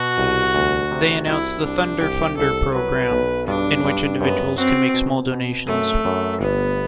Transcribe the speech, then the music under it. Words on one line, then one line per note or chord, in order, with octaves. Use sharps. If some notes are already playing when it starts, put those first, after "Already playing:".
They announced the Thunder Funder program, in which individuals can make small donations.
Already playing: B2 F#4
C2
D2
C3
C2 E4
C2 D4
C2 G4
C2 A4
F#3 B4
B1
G2 D4
G2
F#2 B3
C4 F#4
B2
B2
F#2 A3
F#2
G1 B3